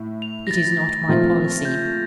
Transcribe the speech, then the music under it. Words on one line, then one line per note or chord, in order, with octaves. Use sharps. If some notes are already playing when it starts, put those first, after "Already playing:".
It is not my policy.
Already playing: A2
F7
A#6
A6
A#2 F3 A3 C4 F4
G6